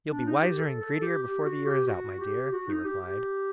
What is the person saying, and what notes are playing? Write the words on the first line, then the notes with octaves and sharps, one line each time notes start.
"You'll be wiser and greedier before the year is out, my dear," he replied.
D4
D#4
G4
A4
A4
G4
G4
F#4
G4
F#4
G4
F#4
D#4
G4
G4